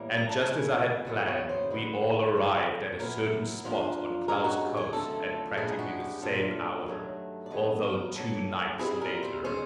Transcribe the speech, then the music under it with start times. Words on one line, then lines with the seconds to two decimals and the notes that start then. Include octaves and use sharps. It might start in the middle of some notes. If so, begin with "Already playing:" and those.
And, just as I had planned, we all arrived at a certain spot on Klow's coast at practically the same hour, although two nights later.
Already playing: A2 E3 G3 A#3
0.17 A#5
0.29 A5
0.41 E2 C#3 F3 G#5
1.06 E2 C#3 F#3 B3 E4 F#5
1.27 C#5
1.49 C5
1.70 D2 D3 F3 B4
2.35 F2 C#3 F3
2.99 A#2 F#3 B3 E4 A#4
3.64 G#2 F3 A#3 D4 F4
4.28 G2 D#3 G#3 C#4 A#4
4.44 F#4
4.77 G#4
4.93 F#2 D3 F3 A3 C4 A4
5.57 A#2 F3 G#3 B3 D4 G#4
5.79 F#4
6.00 G4
6.22 A#2 F#3 A3 D4 F4 A4
6.86 G2 D#3 F#3 A3
7.46 D5
7.50 E2 C#3 F#3 B3 D#5
7.83 A#4
8.15 A#2 F#3 A#3 A4
8.79 B2 G3 C4 E4 G#4
9.01 A#4
9.23 C5
9.44 D#3 G#3 C#4 C5